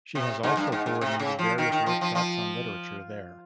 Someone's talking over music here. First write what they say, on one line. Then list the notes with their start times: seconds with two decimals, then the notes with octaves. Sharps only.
She has also coordinated various workshops on literature there.
0.15 C3
0.43 G#2
0.57 G2
0.72 G#2
0.86 G#2
1.01 C3
1.19 C#3
1.39 F3
1.58 D#3
1.72 D#3
1.86 F3
2.01 F3
2.15 F3